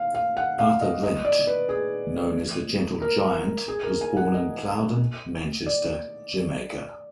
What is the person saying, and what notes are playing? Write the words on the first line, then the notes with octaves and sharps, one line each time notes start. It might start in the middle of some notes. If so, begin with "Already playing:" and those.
Arthur Wint, known as the "Gentle Giant", was born in Plowden, Manchester, Jamaica.
Already playing: F5
F5
F#5
F5
D#5
D#5
D5
B4
G#4
A#4
G#4
A#4
G#5
F#5
D#5
D5